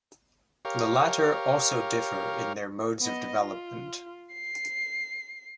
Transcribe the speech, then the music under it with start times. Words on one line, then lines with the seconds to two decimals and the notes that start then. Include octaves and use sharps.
The latter also differ in their modes of development.
0.65 G4 A#4 C#5 F5
3.00 B3 D#5
3.38 F4
4.34 C7